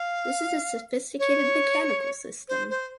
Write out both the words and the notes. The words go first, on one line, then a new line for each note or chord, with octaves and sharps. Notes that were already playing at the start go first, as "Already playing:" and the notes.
This is a sophisticated mechanical system!
Already playing: F5
C#5
C5
C5